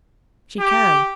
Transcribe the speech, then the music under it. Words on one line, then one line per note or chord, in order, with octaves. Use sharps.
She can!
G4